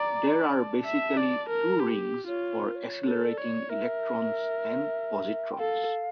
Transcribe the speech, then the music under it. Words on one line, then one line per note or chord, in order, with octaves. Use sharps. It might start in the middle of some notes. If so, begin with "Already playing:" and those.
There are basically two rings for accelerating electrons and positrons.
Already playing: D5 A#5
A5
E5
D5
A#4
G4
F4 C#5
A#4
C#5
A4
D5
C#5
A#4 E5
G5
A4 F5